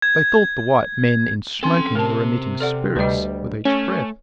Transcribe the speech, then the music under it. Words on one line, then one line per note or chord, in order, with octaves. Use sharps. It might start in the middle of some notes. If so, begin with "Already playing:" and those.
They thought the white men in smoking were emitting spirits with each breath.
G#6
C4 C#4 A4 C6
C3 C4 A#4 A5
A4 D5 F#5
D2 G3 B4 D#5
A3 C#4